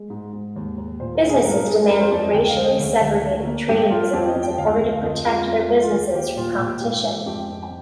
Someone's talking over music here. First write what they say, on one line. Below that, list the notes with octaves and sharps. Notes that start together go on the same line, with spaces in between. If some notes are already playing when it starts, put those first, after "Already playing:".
Businesses demanded racially segregated trading zones in order to protect their businesses from competition.
Already playing: G#3
G#2
G#2
D#2
D#2
A#2 C5
A#4
A#2
G#4
G2 A#4
G#3 G#4
F2 A#4
C5
F2 D5
D#5
D2 G5
F5
G#3
D#5
D2
D2
D2
A#3
G2 G4
G2 F4
F2 G4
D#5
F2
G5
D2 F5
D2
F5
F2 D#5
G#3 F4
F2
G#3
F4
D#2 G4
D#2 G4
A#2 F4
F4
A#2
G4
G#2 G4
G#2
F2 G4
F2